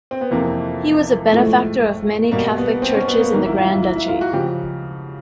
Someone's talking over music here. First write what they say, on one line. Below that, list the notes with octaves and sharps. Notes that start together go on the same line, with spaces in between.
He was a benefactor of many catholic churches in the Grand Duchy.
C4
B3
F2 C3 E3 A#3
A2 F3 G#3 A3
B2 G3 A#3
B3
C4
C#4
B3
A#3
G#2 D#3 F#3 A#3
E4
F4
E4
E4
E4
F4
F#4
C#3 F3 G4